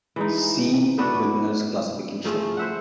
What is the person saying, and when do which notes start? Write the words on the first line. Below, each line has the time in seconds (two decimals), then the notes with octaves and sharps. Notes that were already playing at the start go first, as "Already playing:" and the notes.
See Wigner's classification.
0.16 E3 G#3 D#4
0.98 A3 B3 D4 F#4
2.25 F3 A3 F4 G#4
2.57 C5 E5 F#5